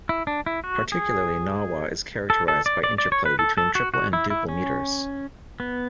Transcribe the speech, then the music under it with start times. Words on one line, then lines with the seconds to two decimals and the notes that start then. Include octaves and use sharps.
Particularly Gnawa is characterized by interplay between triple and duple meters.
0.09 E4
0.27 D4
0.46 E4
0.64 F#4
0.92 G#4
2.30 A4
2.48 A4
2.66 D5
2.84 D5
2.98 D5
3.12 C#5
3.26 B4
3.39 A4
3.58 A4
3.75 F#4
3.94 F#4
4.13 E4
4.30 E4
4.49 C#4
5.60 B3